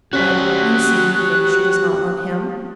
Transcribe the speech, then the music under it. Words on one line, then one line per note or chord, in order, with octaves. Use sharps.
"But you seem to think she does not love him!"
C#4 F#4 G4 C5 F#6 B6